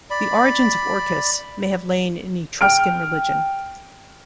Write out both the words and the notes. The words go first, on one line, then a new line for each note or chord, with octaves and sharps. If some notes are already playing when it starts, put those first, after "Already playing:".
The origins of Orcus may have lain in Etruscan religion.
D5 B5
G5 F6 D7